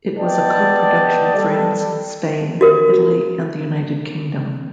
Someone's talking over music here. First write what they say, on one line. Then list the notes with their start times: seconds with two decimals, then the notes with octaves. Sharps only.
It was a co-production of France, Spain, Italy and The United Kingdom.
0.18 B3 D5 D#5 G5 A5
1.35 G3 A4
2.61 F#4 A#4